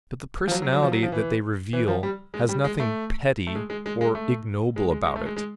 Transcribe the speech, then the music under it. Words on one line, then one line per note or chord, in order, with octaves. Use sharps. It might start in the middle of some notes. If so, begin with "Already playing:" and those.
But the personality that they reveal has nothing petty or ignoble about it.
F3
F#3
F#3
F#3
F3
F#3
F3
E3
E3
F3
G3
G#3
G3
G#3
A3
A3
G#3
G#3
G#3
G#3
A3
G#3
G#3
G#3
A3
G#3
G#3